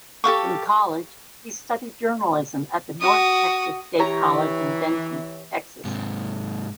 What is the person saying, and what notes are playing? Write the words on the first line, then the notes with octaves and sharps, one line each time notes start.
In college, he studied journalism at the North Texas State College in Denton, Texas.
G4 A4 F5 C#6
F#4 D#6
E3 G4 C#5 A#5
G#2 C3